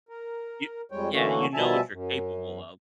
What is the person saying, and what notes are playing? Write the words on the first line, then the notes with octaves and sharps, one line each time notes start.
You yeah, you know what you're capable of.
A#4
F2 G3 G#3 C#5 G5
D3 E3 A3 A#3 C#4 F#4
B2 F3 G3 E5 G#5 A5
F#2